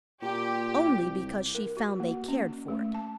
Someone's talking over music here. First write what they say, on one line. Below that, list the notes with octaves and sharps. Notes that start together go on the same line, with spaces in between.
Only because she found they cared for it.
A#2 G4
C2
A#4
F#4
A#3
C#4
A3
A5